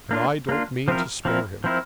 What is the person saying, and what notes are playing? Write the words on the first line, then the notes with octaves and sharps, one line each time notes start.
"And I don't mean to spare him."
A#3 D4 F4
A#3 D4 F4
F3 C4 E4 A#4
F3 C4 E4 A#4
F3 C4 E4 A#4